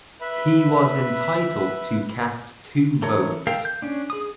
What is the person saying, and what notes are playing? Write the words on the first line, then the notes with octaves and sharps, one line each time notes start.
He was entitled to cast two votes.
B4 E5 B5
E3 A4 A#4 C#5
A4 A#4 F5 G5
G6
C#4 D4
G#4 D#6